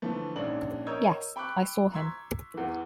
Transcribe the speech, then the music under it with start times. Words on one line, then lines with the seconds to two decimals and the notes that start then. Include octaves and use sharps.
Yes, I saw him.
0.02 D3 E3 F3 A3
0.36 A#1 G#2 C#4 D4 F#7
0.87 A#4 C#5 D#5 E6 G6 G#6
1.36 G5 B5 C#6 D6 F#6
1.93 A#5 C6 C#6 E6 G#6 B6
2.54 E2 E3